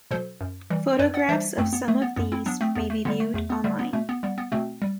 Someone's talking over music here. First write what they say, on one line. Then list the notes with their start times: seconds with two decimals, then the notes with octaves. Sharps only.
Photographs of some of these may be viewed online.
0.11 B2 F#3 A4 C5
0.41 F#2
0.70 E3 G3
0.99 F#2 B4 D5
1.14 D5 F#5
1.29 E3 G3 C5 E5
1.58 F#2 A3 C4
1.73 B3
1.88 F#3 A3
2.02 B3
2.16 F#2 B3
2.32 C4 E4
2.46 F#3 B3 D4
2.61 A3 C4
2.75 E2 B3
2.90 A3
3.05 D3 G3 B3
3.20 A3
3.34 E2 A3
3.50 B3
3.64 D3 G3 A3
3.79 B3
3.93 B2 A3
4.09 B3
4.23 G3 B3
4.38 B3
4.52 B2 A3 C4
4.82 G3